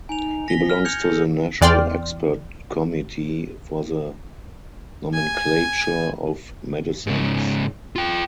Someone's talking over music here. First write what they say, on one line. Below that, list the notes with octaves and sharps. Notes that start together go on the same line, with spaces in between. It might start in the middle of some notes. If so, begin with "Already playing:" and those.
He belongs to the national expert committee for the nomenclature of medicines.
D#4 G#5 F7
A#6 B6 G7
F6
G6 G#6 C#7 F7
A4
E2 E3 D5 G5 C6 F6
G#5
G#2 C#3
F4 G5